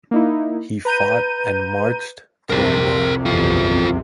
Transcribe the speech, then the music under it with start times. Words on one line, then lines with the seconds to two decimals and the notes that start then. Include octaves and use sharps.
He fought and marched till he died.
0.11 A#3 D#4 E4
0.85 B4 A#5 G6 D#7
2.50 C2 F2 C3 A#4 C5
3.26 F#1 B1 E2 F4 A4